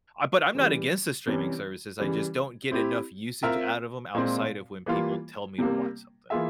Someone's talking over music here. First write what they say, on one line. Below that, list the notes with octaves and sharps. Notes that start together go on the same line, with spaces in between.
uh, but I’m not against the streaming services, I just don’t get enough usage out of 'em, outside of when people tell me to watch something.
C#3 E3 G3
C3 E3 G3 C#4
C#3 E3 G3
C4 E4 G4
C4 F4 A#4 E5
A#2 G#3 C4
E3 G3 A#3 F4
C3 G3 A#3
E3 A#3 F4 G#4 E5